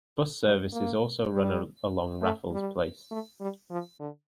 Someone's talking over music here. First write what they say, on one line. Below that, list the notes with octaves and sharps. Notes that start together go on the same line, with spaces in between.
Bus services also run along Raffles Place.
G3
A#3
G3
A3
G3
A3
G3
F3
D3